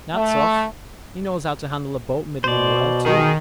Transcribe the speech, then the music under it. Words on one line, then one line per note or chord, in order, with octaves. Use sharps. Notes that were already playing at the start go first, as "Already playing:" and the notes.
Nat's off--he knows how to handle a boat middling well, too.
A3
B2 C5 D5
D#3 G#4